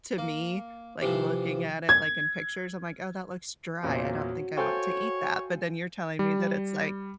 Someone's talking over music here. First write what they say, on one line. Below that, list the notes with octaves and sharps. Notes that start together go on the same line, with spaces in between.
to me, like, looking at it, like, in pictures, I'm like, "Oh, that looks dry. I don't think I want to eat that." but then you're telling me that it's, like,
A#3
C3 E3 F3
G#6
E2 A#2 A#3 C4 C#4 F#4
A4 C5 C#5 F5 G5 G#5 G6
G3